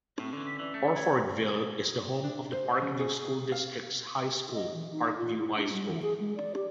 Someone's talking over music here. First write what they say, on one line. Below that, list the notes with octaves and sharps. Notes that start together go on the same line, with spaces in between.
Orfordville is the home of the Parkview School District's high school, Parkview High School.
A2 C4 C#6
D3 E3 C#4
B6
E3 D5
A3
G#6
D4
C5
C#3
G#4
F5
D#5
E3
D#4
F4
E4
D4
G3
E3
G#4
G#3
D5
G4